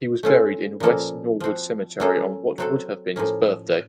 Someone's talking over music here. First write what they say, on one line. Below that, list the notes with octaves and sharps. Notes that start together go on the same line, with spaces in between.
He was buried in West Norwood Cemetery on what would have been his birthday.
A3 C#4 F4 A4
A#2 F3 A#3 C#4 A4
F3 C4 F#4
F#3 A#3 C#4 F4 A4
F#3 C4 F#4 A4
A2 F3 A#3 C#4